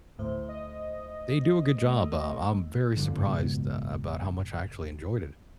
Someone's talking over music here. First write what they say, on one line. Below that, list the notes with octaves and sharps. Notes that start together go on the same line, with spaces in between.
They do a good job, um, I'm very surprised a about how much I actually enjoyed it.
D2 A2 C5
D#5
A3
G1 D3 F3
F#1 C#2 G#2 B2